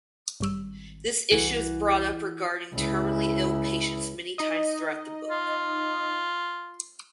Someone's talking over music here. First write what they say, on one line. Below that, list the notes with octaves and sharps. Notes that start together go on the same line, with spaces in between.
This issue is brought up regarding terminally ill patients many times throughout the book.
G#1 G2 G3 E6
C2 E3 F#4
C#2 E4
D#4 D#5
F4